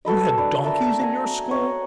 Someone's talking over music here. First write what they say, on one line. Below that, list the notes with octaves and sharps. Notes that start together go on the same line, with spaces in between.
You had donkeys in your school?
F#4 A4 B4 D#5
D4 B4
A#4 E5 A5
F#5 G#5 A#5
C#5 D#5 F#5